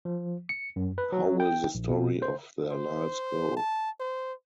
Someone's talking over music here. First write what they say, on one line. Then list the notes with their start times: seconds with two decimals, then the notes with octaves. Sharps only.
How will the story of their lives go?
0.05 F3
0.49 C#7
0.76 F#2
0.98 B4
1.12 F#3
1.40 G5
1.75 A#1
1.90 B2
2.22 C5
2.71 C5
3.57 A5
4.00 C5